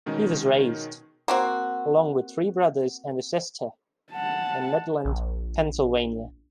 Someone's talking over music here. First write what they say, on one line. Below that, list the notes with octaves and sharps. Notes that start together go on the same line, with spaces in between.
He was raised, along with three brothers and a sister, in Midland, Pennsylvania.
B2 D#3 G#3 C#4 D#4
A#3 C4 F#4
F#5 A5
A#1